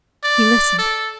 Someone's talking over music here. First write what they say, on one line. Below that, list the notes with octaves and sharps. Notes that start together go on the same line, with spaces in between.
He listened.
D5
A4